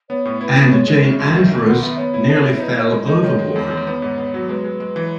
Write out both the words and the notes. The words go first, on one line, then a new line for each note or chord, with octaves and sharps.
And Jane Andrews nearly fell overboard.
B3 C#5
A2
E4 B4
B3
G#3 C#5
G#3
C#3 E5
F#2
D#3 E5
D#3 G#5
B3 F#5
B3 E5
B3 C#5
E4
B3
E4
C#5
D#4 B4
D#4 C#5
G#3
D#4 D#5
D#3 C#5
G#3
E2
E2
B3
G#2
B3
F#3
G#3 B4
G#3
G#3
E3